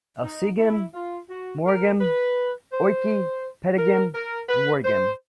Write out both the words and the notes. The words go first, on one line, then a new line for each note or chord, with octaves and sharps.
Elsegem, Moregem, Ooike, Petegem and Wortegem.
D#4
E4
F4
F#4
A#4
B4
C5
A#4
A#4
B4
C5